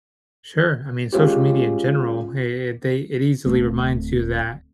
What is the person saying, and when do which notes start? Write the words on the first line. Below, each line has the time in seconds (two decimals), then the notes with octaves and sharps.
Sure. I mean, social media in general, it it they it easily reminds you that,
1.12 G#3 C#4 F4 G4
3.46 D1 A3 C4